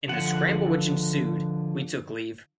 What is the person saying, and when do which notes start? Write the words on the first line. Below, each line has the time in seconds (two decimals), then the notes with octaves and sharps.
In the scramble which ensued, we took leave.
0.08 D3 F3 F#5